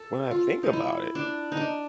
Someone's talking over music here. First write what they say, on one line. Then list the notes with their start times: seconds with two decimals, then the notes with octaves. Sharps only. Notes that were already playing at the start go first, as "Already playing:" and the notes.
when I think about it.
Already playing: A4
0.31 F4
0.63 D#4
0.73 E4
1.15 D4
1.52 D#4
1.57 D4